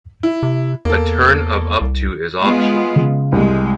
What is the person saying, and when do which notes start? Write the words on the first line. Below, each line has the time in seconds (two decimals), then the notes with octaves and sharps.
A turn of up to is optional.
0.23 E4
0.43 C3
0.85 E2 A#3 A4
1.81 C2
2.40 G#3 B3 F4
2.96 C#3
3.32 C2 G#3